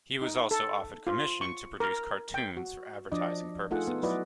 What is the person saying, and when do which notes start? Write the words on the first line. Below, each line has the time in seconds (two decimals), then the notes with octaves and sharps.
He was also often commissioned to produce cartoons for advertising purposes.
0.22 D#4
0.51 A4
1.07 F4
1.41 C#6
1.80 A#4
2.34 G5
2.57 F#4
3.12 F3 D4 D5 D#5
3.71 A3 D#4 F4 G#4 A4 F#5
3.88 B3
4.03 F#3 E4 F#4 B4 D5 D#5